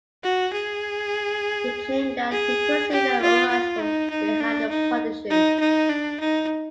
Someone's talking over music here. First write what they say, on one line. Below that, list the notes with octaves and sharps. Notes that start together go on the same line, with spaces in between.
He claimed that he could see their auras from behind the partition.
F#4
G#4
G#4
G4
F4
F4
D#4
D#4
D4
D#4
D#4
D#4
D4
D#4